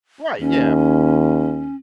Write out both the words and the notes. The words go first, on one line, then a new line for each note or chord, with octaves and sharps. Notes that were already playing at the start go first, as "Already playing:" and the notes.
Right, yeah,
D#2 C#4